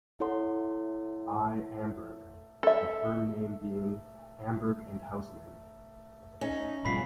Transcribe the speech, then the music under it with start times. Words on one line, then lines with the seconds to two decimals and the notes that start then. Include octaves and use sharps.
I. Amberg, the firm name being "Amberg and Houseman".
0.20 E4 A4 C#5 F#5 C6
2.63 A4 E5
6.41 C#4 D#4
6.85 G#2 B2 G3 B3 F4 B5 B6 C7